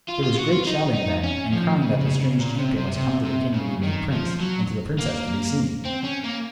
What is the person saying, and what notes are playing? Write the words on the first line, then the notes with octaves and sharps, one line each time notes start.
There was great shouting, then, and crying that the strange champion must come to the king to be made prince, and to the princess, to be seen.
F4
F4
F#4
F4
D#4
D#4
C#4
F3
C#3
C#3
C#3
A#2
C3
C3
C3
C3
C#3
D#3
F3
F#3
A#3
C4
C#4
A#3